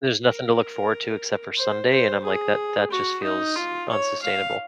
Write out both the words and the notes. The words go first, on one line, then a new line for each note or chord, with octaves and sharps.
there's nothing to look forward to except for Sunday, and I'm like, that that just feels unsustainable.
A#4
C5
C5
G#4
F#4
D#4
F4
C#5
F5